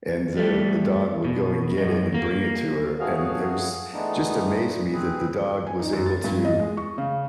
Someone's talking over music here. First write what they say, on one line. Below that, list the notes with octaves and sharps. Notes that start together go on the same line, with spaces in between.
and the the dog would go and get it and bring it to her, and it was Just amazed me that the dog was able to
G3 A3
B2
F#2 G#3
A#3
A3 B3 F#4 G#4 C#5 F5
E3 G#3 A3 B3 D4 D#4
C4 G#4 B4
G#5
D#4
F#2
A6
G2
D#5
G#3
C#6
C#3